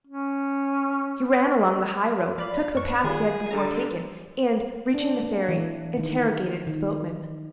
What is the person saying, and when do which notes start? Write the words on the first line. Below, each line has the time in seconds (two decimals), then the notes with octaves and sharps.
He ran along the high road, took the path he had before taken, and reaching the ferry, interrogated the boatman.
0.07 C#4
2.38 F3 D5 F5 B5
2.75 F#2 D4 C#6
3.04 D#3 G3 F4 G#4
3.51 D3 G3 A#5
4.94 D4
5.23 A#3
5.49 E3
5.97 D#3
6.67 D#3